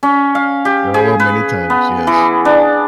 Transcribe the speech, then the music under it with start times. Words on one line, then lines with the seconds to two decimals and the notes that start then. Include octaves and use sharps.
Oh, many times, yes.
0.03 C#4
0.35 F5
0.65 G4
0.94 G#4
1.20 B4
1.70 B3
2.07 E3
2.45 D4